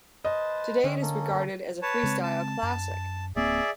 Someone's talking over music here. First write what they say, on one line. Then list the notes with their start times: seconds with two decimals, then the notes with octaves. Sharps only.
Today, it is regarded as a freestyle classic.
0.25 B4 C5 D#5 A5
0.84 D3 C4 C#4
1.02 A#3 C#4 A4
1.82 B4 C#5 A5
2.03 C#3 G#3 C4
2.23 A5
2.63 F#2
3.36 D1 A#3 C4 G#4 D5 E5